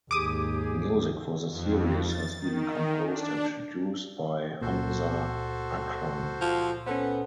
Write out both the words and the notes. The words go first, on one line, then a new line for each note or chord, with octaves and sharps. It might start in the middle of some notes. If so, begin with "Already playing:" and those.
Music for the series has been composed and produced by Hamza Akram.
D#2 G#2 G4 G#4 D6 D#6
F2
A6
D#3
D4
C#2 A#2 F#4 A4 C5
F3
B3 C#4 A4 C5